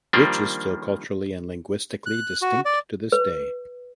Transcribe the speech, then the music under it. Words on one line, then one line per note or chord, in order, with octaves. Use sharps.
Which is still culturally and linguistically distinct to this day.
D#3 F3 G3 A#3 D4
F#6
F#4
D5
B4